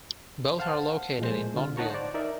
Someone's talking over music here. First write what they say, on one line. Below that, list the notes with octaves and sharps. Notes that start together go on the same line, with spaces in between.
Both are located in Boonville.
C5 F5 F#5 A5
A#2 F3 G#3 C5
D3 F4
D#4 C#5 F#5 A5 A#5 C#6
C5 D5
D#4 A#4 D5 E5